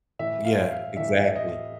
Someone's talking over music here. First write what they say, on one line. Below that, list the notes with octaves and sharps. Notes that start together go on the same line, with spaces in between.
Yeah. Exactly.
A2 E3 E5
F5
F5
A2 E3 E5
D#5